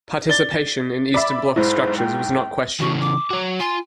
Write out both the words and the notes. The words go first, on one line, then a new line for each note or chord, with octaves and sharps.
Participation in Eastern Bloc structures was not questioned.
D5 A6 G7
D5 E5 B5 D6
B1 G#2 E4 C5
G5
C#3 E3 F#4
D6
F#4 C#5
F4 G#5 C6